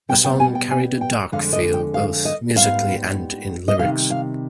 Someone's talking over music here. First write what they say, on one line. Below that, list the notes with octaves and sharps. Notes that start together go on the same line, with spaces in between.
The song carried a dark feel, both musically, and in lyrics.
B2 G3 B3 G5
G5
G#5
G5
G#5
G5
F2 D3 G#3 F5
D#5
G5
F5
D#5
G#2 G3 B3 F5
D#5
C3 D#3 G3 F5
F5